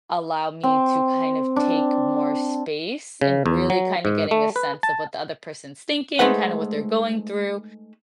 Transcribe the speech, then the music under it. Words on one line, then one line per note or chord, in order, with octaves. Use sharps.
allow me to kind of take more space and really kind of getting a sense of what the other person's thinking, kind of what they're going through.
C4
D4
C#3
E2
F#3
G#2
A3
B4
A5
G#3 A3 D#4 B4 C5 F#5